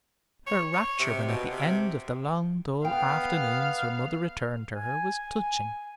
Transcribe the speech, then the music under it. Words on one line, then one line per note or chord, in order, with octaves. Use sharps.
Her rapture when at the end of the long dull afternoons her mother returned to her was touching.
C#5
C#5
C3
B2
C3
B3 F5 G5
G#5